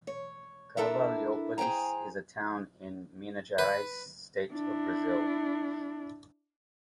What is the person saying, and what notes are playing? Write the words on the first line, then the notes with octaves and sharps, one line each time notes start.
Carvalhópolis is a town in Minas Geraes State of Brazil.
C#5
D4 E4 A4 A#4 E5
G#4 C5 G5 G#5 A#5
B4
D4 E4